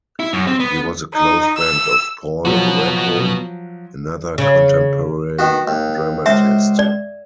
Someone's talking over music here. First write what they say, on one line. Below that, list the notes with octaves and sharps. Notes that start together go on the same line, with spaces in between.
He was a close friend of Paul Rebhun, another contemporary dramatist.
E4
F#2
C4
B3
D#4
E6
F3 F#3 B3 F#4
C#3
D#3 B3 F#4
D#2
C#2 C5 E5
D5